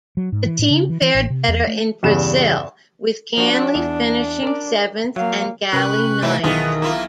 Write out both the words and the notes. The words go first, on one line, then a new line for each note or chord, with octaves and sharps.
The team fared better in Brazil with Ganley finishing seventh and Galli ninth.
F#3
G#2
E3
A2
C#3
E3
E3
A1
C3
E2
A3
E2 G2 C#3 E7
F3 D4 F#4
E2
A#4 D5
F#3 A#3 F5
C3 C#4 A#4 B4 G5 C#6 F#6
G#2 C3 E3 A3 C4 E4
B1 D#3 E3 B3 F4 G#4 D#6
A#3 E4 F4